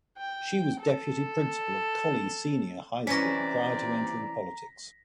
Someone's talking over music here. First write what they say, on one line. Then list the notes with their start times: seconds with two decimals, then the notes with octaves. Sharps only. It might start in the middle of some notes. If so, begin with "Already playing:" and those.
She was deputy principal of Collie Senior High School prior to entering politics.
0.17 G5
0.81 A4
3.07 C3 E3 C#4 D5 A#5 A#6 B6